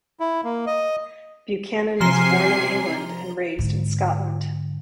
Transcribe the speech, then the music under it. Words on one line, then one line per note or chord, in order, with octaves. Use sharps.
Buchanan was born in England and raised in Scotland.
E4
A#3
D#5
C3 F3 G#5 A#5 C7 G7
G#2 D3